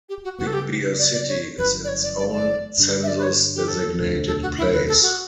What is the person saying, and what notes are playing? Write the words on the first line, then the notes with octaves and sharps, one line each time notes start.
Big Bear City is its own census-designated place.
G4
F#4
F#2 C#3 G3 B3 F#4
A4
G4
D5
D5
C#5
G1 F#2 E3 B4
D5
C#5
D5
D5
D5
G2 D3 G3 D4
E5
D5
B4
C#5
G4
A4
E1 D2 D3
A4
F#4
E4
B4
A4
F#4